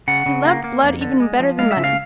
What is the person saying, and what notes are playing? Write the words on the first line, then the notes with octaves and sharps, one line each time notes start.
He loved blood even better than money.
C#3 F#5
C#3
A#3
A#3
F2
D3
G#3
F3
G#3 F5
E5
C#3
F5